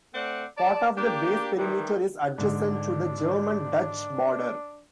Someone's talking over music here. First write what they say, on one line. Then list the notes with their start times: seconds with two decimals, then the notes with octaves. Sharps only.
Part of the base perimeter is adjacent to the German-Dutch border.
0.14 A3 C4 D5 F#5
0.58 D5 A5
0.97 A#3 D4 G4
1.57 D#3 E3 G3
2.38 G#2 D3 D4